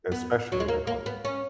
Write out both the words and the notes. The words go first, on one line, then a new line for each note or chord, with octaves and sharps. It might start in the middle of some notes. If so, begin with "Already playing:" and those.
especially the clothing.
B3
F#3
G#3
A#3
A#3
B3
C#4